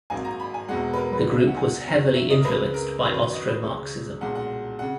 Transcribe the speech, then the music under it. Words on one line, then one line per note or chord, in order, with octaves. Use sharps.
The group was heavily influenced by Austromarxism.
G#1 G#2 F#3 A#3 G#5
A#5
B5
G#5
E1 E2 B2 G#3 F#5
B4
A#4
B4
C#2 B2 F#3 A#3 C#5
E5
F#5
G#5
F#1 F#2 D#3 F#3 A#5
E5
D#5
A#4
C#2 C#3 G#3 B4
A#4
F#2 D#3 F#3 B4
B4
C#5
D#5
B4
C#2 C#3 G#3 C#5
B1 A#2 G#3 F#5
F#5
C#3 F#5